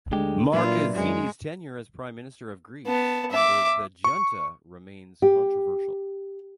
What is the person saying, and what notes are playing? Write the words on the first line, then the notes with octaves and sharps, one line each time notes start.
Markezinis's tenure as Prime Minister of Greece under the Junta remains controversial.
D2 D3 G#3 G4
A#2 F#3 D4 E4 F4 B4
F#2 G#3
B3 A5
E5 D6
C#6
G4